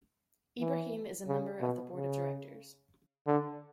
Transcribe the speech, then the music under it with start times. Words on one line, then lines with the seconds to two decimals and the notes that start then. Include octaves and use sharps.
Ibrahim is a member of the board of directors.
0.61 E3
1.27 C#3
1.60 B2
1.94 C#3
3.27 D3